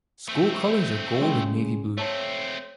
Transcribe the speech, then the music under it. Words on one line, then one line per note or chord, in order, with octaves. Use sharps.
School colors are Gold and Navy Blue.
A3 C4
C#3 G#3 G5
A3 C4 C#5 A5